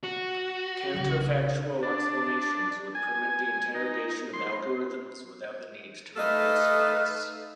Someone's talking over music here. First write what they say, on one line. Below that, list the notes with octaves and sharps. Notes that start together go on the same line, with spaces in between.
Counterfactual explanations would permit the interrogation of algorithms without the need to reveal secrets.
F#4
A#1 C#3
D4
G#5
D#4
C6
A3 D#4 A4 B4 F5